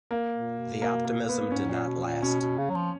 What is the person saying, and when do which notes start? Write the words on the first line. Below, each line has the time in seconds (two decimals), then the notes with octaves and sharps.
The optimism did not last.
0.11 A#3
0.35 A#2
0.58 B2
0.82 A#3
1.05 A#3
1.29 B3
1.52 G#2 C#4
1.69 A#2
1.87 B2
2.04 A#2
2.23 B2 C#4
2.40 B2
2.58 C#3
2.70 F#3
2.75 F3